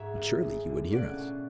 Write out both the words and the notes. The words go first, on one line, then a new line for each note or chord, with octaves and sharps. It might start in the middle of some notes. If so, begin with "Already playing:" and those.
"But surely he would hear us."
Already playing: G#2 C#5 E5
A1
G#3
D3
C#4 D5 F#5
B2